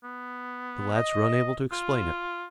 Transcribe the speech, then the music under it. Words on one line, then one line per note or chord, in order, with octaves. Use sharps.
The lads were unable to explain it.
B3
D#5
F4